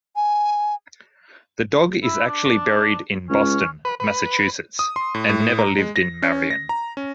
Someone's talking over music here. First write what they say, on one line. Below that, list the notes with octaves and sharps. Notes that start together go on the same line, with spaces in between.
The dog is actually buried in Boston, Massachusetts and never lived in Marion.
G#5
E4
D4
C#2 C#4
B4
B4
D#6
C6
A2
A2
A#5
G#3
A#6
C#4
A#6
A#5
C#4